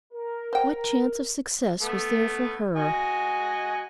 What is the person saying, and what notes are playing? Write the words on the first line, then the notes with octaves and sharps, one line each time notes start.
What chance of success was there for her?
A#4
C5 G5
A3 B3
F#4 D#5 G#5